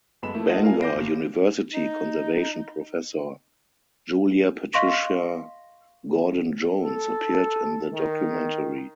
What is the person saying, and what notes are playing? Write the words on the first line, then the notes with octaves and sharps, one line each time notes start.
Bangor University conservation professor Julia Patricia Gordon Jones appeared in the documentary.
F#2 G#3 B3 A4 B5 E7
F3 A3 A#3 E4
A3 E4 F4 A4 D#5 F#5
F4 A#4 F5 G#5
D6 G6 A#6 C7 D7
G1
D#4
D#5 F5 C6 C#6 A#6 B6
A4
D#3